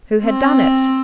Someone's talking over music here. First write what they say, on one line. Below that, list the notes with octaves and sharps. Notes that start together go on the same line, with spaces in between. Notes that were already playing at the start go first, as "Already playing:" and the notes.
Who had done it?
C4